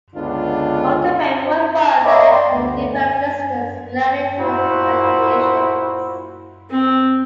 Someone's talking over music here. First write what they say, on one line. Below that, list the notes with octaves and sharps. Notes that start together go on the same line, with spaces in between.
Walter Perry worked further to develop distance learning through the United Nations.
C#2 D3 B3 D4 F4
C#5 D#5 E5 B5 D6
D5 G5 C6
D2 B3
G#5
A#2 E4 F#4 C5
C4